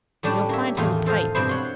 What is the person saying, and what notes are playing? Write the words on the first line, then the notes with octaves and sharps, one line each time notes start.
You'll find him tight.
A2 G3 C#4 D4 G4 A5
A#3 C#5 E5
E2 A2 D#3 F4
A4 C5 D#5 F5
G2 B2 C4 D4 E4 C5
C#5 F#5 C6